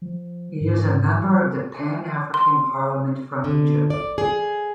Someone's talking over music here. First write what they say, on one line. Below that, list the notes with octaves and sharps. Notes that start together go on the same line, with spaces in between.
He is a member of the Pan-African Parliament from Egypt.
F3
G#2
C6
D3
D5
G#4